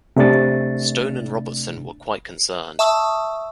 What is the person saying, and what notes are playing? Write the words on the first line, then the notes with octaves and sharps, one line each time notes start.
Stone and Robertson were quite concerned.
C3 A3 D4 A6
E5 A5 C#6 D#6 E6